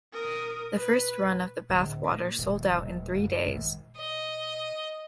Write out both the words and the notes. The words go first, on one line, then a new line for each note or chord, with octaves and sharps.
The first run of the bath water sold out in three days.
A#4 D#6
B4
D1
A#2
D#1
D#1
F#1
G#1
D#5